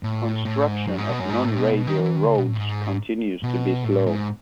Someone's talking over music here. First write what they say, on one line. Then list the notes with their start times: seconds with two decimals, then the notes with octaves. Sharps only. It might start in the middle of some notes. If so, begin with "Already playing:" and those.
Construction of non-radial roads continues to be slow.
0.03 A2
0.45 A2
0.67 G#2
0.87 F#2
0.98 G#2
1.09 B2
1.20 F#2
1.30 G#2
1.45 A2
1.58 B2
1.73 B2
1.87 D#3
2.00 E3
2.15 D#3
2.25 C#3
2.37 B2
2.47 A2
2.57 G#2
3.43 B2
3.84 A2
4.07 G#2